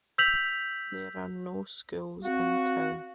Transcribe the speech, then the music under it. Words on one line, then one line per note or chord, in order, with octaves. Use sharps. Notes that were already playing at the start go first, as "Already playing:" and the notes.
There are no schools in town.
E6 G6 B6 F7 F#7
C4 F#4 F5